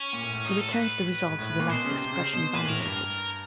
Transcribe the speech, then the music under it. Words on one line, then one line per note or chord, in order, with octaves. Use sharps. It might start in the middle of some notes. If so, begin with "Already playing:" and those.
It returns the result of the last expression evaluated.
Already playing: C#4
A#2
A2
A2
D#4
A4
B4
G#2
A2
A2
A#2
B2 C5
C#3
C3
C#3
B2
A#2 B4
A2 A#4
G2 A#4